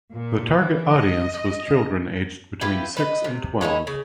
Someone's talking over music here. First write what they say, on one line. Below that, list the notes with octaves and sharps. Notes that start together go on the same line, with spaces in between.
The target audience was children aged between six and twelve.
A#2
E3
D#5
E4 F4 G4 B4
B4 C#5 D#5
C3
G#3 C#4 D#4 E4
C#3